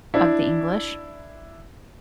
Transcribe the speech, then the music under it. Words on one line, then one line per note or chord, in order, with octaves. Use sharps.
of the English.
D4 E4